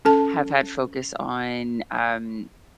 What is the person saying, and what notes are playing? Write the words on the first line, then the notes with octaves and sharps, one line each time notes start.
have had focus on, um,
C#4 A4 A5